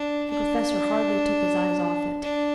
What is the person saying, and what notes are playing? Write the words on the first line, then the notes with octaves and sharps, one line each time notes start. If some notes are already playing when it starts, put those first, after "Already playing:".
The Professor hardly took his eyes off it.
Already playing: D4
D4
D4